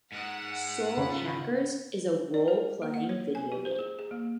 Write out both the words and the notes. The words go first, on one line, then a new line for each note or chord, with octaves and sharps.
"Soul Hackers" is a role-playing video game.
G#2 G#3 F#5
C#3 F4 B5
D5
A#4
A#3
F#5
C#5
G#5
G4
C5
G#4
G#4
A#3